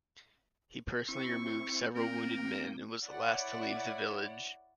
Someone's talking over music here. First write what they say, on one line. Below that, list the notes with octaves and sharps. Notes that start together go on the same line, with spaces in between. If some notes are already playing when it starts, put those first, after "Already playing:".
He personally removed several wounded men and was the last to leave the village.
C4 E4 C#6
A#3 C4 A#4 G5
E4 C#5 D5 F#5